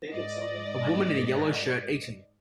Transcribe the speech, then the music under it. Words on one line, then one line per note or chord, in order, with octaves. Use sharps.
A woman in a yellow shirt eating.
G#2 D5 D#5